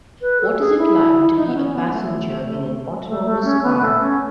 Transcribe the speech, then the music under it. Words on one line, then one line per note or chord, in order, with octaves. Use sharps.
What is it like to be a passenger in an autonomous car?
B4
A4
G#4
E4
E4
D#4
B3
C#4
B3
A3
A3
A3
C#4
B3
A3
C#4